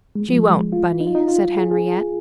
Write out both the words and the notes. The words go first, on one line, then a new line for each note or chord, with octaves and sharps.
"She won't, Bunny," said Henriette.
G#3
F3
G#3
F4
D#4
F4
D#4
F4
G#4
G#4